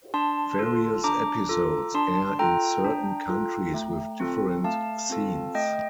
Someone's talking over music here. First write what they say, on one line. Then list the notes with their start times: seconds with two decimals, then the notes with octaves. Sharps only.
Various episodes air in certain countries with different scenes.
0.14 D4 A5 C6
0.59 F4 A4
1.04 D4 A#5 D6
1.49 F4 A4
1.94 D4 A5 C6
2.39 F4 A4 G5 A#5
2.84 D4
3.29 F4 A4
3.74 A3
4.20 C4 F4 A4
4.64 A3 F5 A5
5.10 C4 F4 A4
5.55 A3 D#5 G5